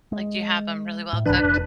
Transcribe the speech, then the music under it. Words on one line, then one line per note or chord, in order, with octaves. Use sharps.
Like, do you have them really well cooked?
G#3
A2
C2 G#2 E3 D4 B4
F1